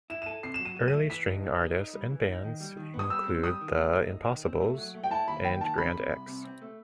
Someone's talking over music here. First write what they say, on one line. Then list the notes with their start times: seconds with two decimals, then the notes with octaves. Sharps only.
Early string artists and bands include The Impossibles, and Grand Ex'.
0.10 E4 E7
0.22 E7
0.26 A4 D#7
0.43 C3 C7
0.54 E7
0.60 F#3
0.65 D#7
0.76 F#3
0.88 D#7
0.93 A3
1.10 E3 B6
1.27 D#4
1.44 E3
1.60 D#4
1.77 D#4
1.93 G3
2.10 E3
2.27 D#4
2.44 D#3
2.60 G3
2.77 D#3
2.94 B3
2.99 D#6
3.10 G3 E6
3.27 C4
3.44 G3 D#6
3.61 D#3
3.77 A3
3.94 D#4
4.11 D#4
4.27 D#3
4.44 C4
4.61 A3
4.78 F#3
4.95 A3
5.03 G5
5.11 E4 A5
5.28 D#2 B5
5.44 D#2 G5
5.61 D#3 A5
5.78 C3 B5
5.94 C3
6.11 C2
6.28 C3
6.45 C4
6.62 A3